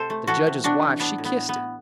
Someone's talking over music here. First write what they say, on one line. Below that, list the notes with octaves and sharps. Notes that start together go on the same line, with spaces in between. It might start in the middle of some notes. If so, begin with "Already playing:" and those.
The judge's wife she kissed it.
Already playing: C3 A4 C5
A3
E3 F#4 A4
C3
C3 D4 F#4
E3
A2 B3 D4
A2
B3
A2
B3
A2